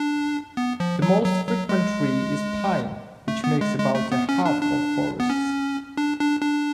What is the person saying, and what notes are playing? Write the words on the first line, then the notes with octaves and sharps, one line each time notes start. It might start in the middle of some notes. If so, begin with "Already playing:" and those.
The most frequent tree is pine which makes about a half of forests.
Already playing: D4
B3
F3
F#3
F#3
F#3
G#3
A3
B3
G#3
G#3
A3
B3
C#4
D4
D4
B3
C#4
D4
D4
D4